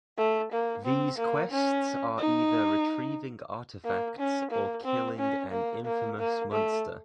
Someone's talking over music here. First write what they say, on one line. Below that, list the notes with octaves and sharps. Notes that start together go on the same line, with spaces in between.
These quests are either retrieving artifacts or killing an infamous monster.
A3
A#3
C4
A#3
C#4
D#4
A#3
C#4
A#3
C4
C#4
A#3
A#3
A#3
A3